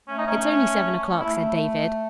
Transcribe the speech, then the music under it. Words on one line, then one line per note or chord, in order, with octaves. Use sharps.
"It's only seven o'clock," said David.
A3 C#4
D#4
C#4
A3 E4